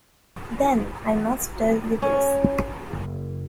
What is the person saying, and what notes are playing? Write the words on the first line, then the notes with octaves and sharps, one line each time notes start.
Then I must tell you this.
C#4
F#1